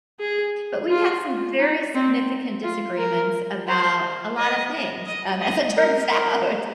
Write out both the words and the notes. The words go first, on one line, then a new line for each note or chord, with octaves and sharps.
but we have some very significant disagreements about a lot of things, um, as it turns out.
G#4
F4
D#4
C4
F4
A#4
C5
D#5
D#5
D#5
A#4
A#4